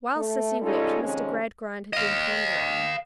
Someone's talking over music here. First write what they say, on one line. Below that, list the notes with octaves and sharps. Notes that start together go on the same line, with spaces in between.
While Sissy wept Mr. Gradgrind had been pondering.
A3
G3 G#3 C#4 D#4 F4 A4
F2 C3 D#3 G#3 C4 C#4
D#5 F5